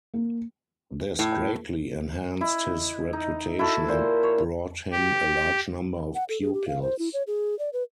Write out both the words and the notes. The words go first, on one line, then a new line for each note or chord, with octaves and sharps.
This greatly enhanced his reputation and brought him a large number of pupils.
A#3
A2
E4 D#5
D#4
E4 F#4 A4
A#2 C5
C#5
G4
F#5
A4
G#4
G4
F5
C5
E4
C#5
G#4
D5
B4